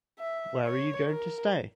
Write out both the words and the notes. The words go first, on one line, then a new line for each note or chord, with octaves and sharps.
Where are you going to stay?
E5
C#5
A#4